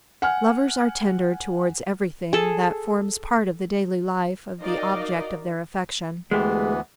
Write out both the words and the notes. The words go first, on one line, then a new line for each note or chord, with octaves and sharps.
Lovers are tender towards everything that forms part of the daily life of the object of their affection.
F#5 G#5 F6
G#4 A4
D#4 F#4 A#4 D5 D#5 F5
D2 E3 G#3 A3 B3 G4